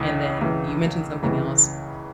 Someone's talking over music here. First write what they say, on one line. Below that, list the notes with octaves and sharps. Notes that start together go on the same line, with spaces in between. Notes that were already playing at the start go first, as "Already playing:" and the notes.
And then you mentioned something else
Already playing: C#2 C#3 E3
C#2 C#3 E3
C#2 C#3 E3